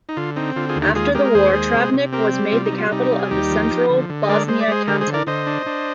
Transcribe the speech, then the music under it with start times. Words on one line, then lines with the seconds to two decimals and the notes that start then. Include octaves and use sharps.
After the war, Travnik was made the capital of the Central Bosnia Canton.
0.09 D#4
0.17 D3 F4
0.36 C4 D#4
0.56 D3 F4
0.69 F4 G#4
0.76 D#2
0.82 D#4 G4
0.95 G#3 F4 G#4
1.15 G#3 G4 A#4
1.25 A#4
1.35 D#2 G#4 C5
1.54 G#3
1.74 C3
1.93 C3
2.13 C4 G4 A#4
2.33 G3
2.52 C3 F4
2.66 D#4
2.72 G3
2.78 F4
2.92 C3 D#4
3.11 G3
3.19 G#4
3.31 D#2 D#4 G4
3.50 F3
3.70 F3
3.90 D3
4.10 D3
4.23 D#5
4.29 G#3 A#4 D5
4.48 G#3 C5
4.61 D5
4.68 G#3 G#4 C5
4.87 D3 G4 A#4
5.01 G#4 C5
5.07 D3
5.14 A#4 D5
5.27 D3 C5 D#5
5.47 D4
5.66 D4